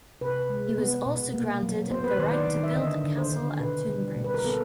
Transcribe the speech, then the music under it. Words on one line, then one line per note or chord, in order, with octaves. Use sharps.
He was also granted the right to build a castle at Tonbridge.
C3 B4
G#3
B3
B2
A#3
F#3
B3 C5
B4
D#3 C5
D5
D#3
E5
D3 D#5
D3
C5
D3
B2 B4
G3
B2
B4
A#4
B3 A4